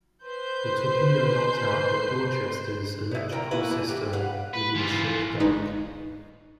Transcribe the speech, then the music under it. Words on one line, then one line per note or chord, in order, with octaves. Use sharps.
The torpedo knocked out the "Dorchester"s electrical system, leaving the ship dark.
B4 C5 G6 C7
B3 E4
A#4 G5 A#5
A3 A#3 E4 B4
E3
G4
B4 F5 F#5
B4
E3 F4
G1 G#2 G#3 D#4 B4